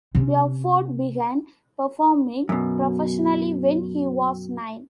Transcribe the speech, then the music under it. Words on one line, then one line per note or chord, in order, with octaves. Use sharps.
Beauford began performing professionally when he was nine.
C3 C#4
F#2 B2